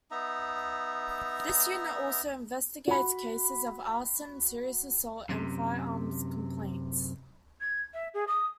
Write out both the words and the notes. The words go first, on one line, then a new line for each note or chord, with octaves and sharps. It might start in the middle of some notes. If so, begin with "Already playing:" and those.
This unit also investigates cases of arson, serious assault, and firearms complaints.
B3 D#4 E5 A#5
F#4 B5
F#2 C3
G#6
E5
G#4
D#6